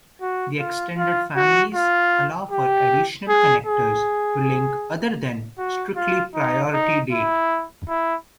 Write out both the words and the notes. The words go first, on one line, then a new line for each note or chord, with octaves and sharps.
The extended families allow for additional connectors to link other than strictly priority date.
F#4
F4
F4
F#4
F4
G4
G#4
G#4
F#4
F4
D#4
D#4
E4
E4